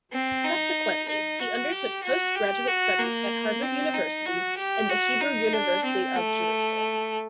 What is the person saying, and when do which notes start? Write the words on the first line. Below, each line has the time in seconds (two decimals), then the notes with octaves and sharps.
Subsequently, he undertook postgraduate studies at Harvard University and the Hebrew University of Jerusalem.
0.13 C4
0.45 D#4
1.08 D#4
1.40 F#4
1.72 G4
2.04 F#4
2.35 G4
2.67 F#4
2.99 A#3
3.62 C4
3.95 D#4
4.26 F#4
4.57 G4
4.89 F#4
5.21 D#4
5.53 D4
5.85 C4
6.16 A3